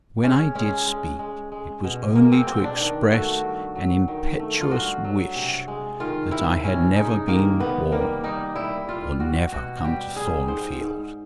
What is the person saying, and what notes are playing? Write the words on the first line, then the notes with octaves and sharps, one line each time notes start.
When I did speak, it was only to express an impetuous wish that I had never been born, or never come to Thornfield.
G#3 C#4
G#3 C#4
G#3
G#3
G#3
B2
G#3 A#3
C4
B2 C4
D4
D#3
A3 F#4
G2
F#3
D#3
A3
F4
G2 F#4
F#3
C3
G#3
D#3 F4
C3 E4
C3 C#4
G#3 D#4
D#3 A#3
C3 B3
G3 A#3
G3 D#4
G3 E4
G3 F4
G3 F#4
B2 F#4
G3 G4
G3 G#4
G#2 C5
G#2